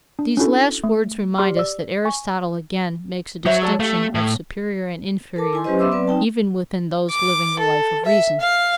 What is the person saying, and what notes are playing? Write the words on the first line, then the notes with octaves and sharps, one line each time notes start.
These last words remind us that Aristotle again makes a distinction of superior and inferior even within those living the life of reason.
D4
C#4 D4 E4 F#4 A4
A3
G4 D5 C6 F6
D5 E6
G#5 C#6
F#3 C5 C#5 E5
A4 D5 A5
A3 G4 F5
A2
A4 A#4 A5 D6
E4 G#5 C6
F#3 C#4 G4 B4 C5 D#5
B3 E5 C6 D6 E6
F#3 C4 B4 D5
C4 D#4 G5 A5
D6
A4
E5
F5